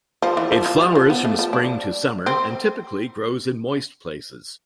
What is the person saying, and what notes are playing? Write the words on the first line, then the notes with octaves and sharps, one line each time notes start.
It flowers from spring to summer and typically grows in moist places.
F3
E3
F3
F3
G3
F3
B3
A3
F3
D4
C4